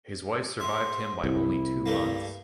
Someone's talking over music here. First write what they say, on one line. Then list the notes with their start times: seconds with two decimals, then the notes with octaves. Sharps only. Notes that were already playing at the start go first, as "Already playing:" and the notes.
His wife survived him by only two months.
0.60 G#2 E5 C6
1.24 C2 E4
1.86 G2 A3 A#3